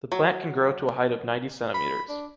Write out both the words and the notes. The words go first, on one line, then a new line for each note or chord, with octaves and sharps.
The plant can grow to a height of ninety centimeters.
F#3
B5
D4